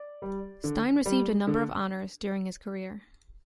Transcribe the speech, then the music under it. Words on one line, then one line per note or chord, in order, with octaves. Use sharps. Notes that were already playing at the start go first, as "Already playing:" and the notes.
Stein received a number of honours during his career.
Already playing: D5
G3
D3
G3
D3